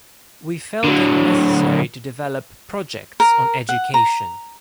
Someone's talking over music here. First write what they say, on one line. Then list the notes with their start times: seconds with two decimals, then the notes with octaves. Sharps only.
We felt it necessary to develop projects on education.
0.84 D3 F#3
3.20 A#4
3.69 F#5
3.94 A#5